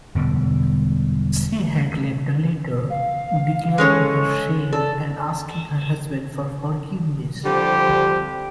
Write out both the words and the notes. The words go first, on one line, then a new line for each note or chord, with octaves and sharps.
She had left a letter declaring her shame and asking her husband for forgiveness.
E1 B2 D3 G3
F5
G#3 C#4 A4 C#5
A4 D5
D3 F3 G3 C4 G4